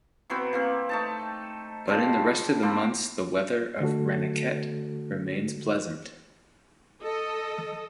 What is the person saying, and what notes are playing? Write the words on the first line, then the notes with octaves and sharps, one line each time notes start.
But in the rest of the months the weather of Ranikhet remains pleasant.
E3 F#3 B3 C4
E3 A#3 C4
A3 D#4 A5
F3 G3 G#3 C4
G3 A#3 C4 D4
D3 A3 F#4 A4
A4 D#5